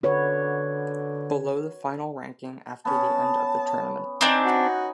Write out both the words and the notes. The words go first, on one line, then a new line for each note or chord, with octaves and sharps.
Below the final ranking after the end of the tournament.
D3 F#4 B4 C#5
B3 C#4 A5
C4 D4 D#4 F#5 G#5
F#4